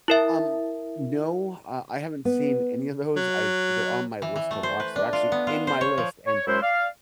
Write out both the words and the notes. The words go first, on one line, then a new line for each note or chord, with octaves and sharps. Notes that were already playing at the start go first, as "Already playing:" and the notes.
Um, no, uh, I haven't seen any of those. I've they're on my list to watch. They're actually in my list, and
E4 A#4 E5
B3
F#3
E3
E3
A3
C5
B4
D4
F4
B3
F4
C5
C#5
F3
C#5
F#2 G#3 E4 C5
D5 F5